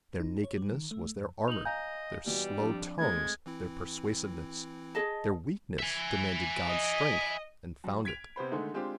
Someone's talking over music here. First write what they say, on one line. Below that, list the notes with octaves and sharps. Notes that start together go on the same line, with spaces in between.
Their nakedness was their armour, their slow tongues their persuasiveness, their weakness demanded God's strength, and found it.
D#4
C#5
G3
D#3
A3
F2
D#4 F7 F#7
D#5 F5 G#5 A#5 G6
B2 E3 G3
F2 D4
G#3 A3 C4 G#6
E3 C4 E4
G#4 D#5 A5
E5 G#5
D#5
F#2
G#6 B6 D7 F7
C3 B3 C5 B5
D3 D#3 G#3 A3 D#4
G#3 C4 D4 F4 G4